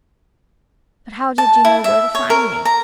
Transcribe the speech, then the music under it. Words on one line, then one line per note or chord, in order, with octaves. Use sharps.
"But how did you know where to find me?"
A5
E4
E5
C#5
A#4
A#5